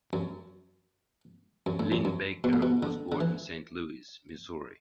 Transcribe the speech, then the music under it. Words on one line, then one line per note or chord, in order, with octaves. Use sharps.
Linn-Baker was born in Saint Louis, Missouri.
F#2
F#2
A2
F#2
F#2
B2
A2
B2
D3
D3
E3